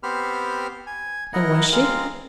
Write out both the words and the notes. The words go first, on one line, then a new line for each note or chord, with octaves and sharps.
"And was she?"
B3 C4 G4 C5 B5 F6
G#5
E4 A#4 D#5 F#5 A#5
G#3 C4 F4 A#4 F5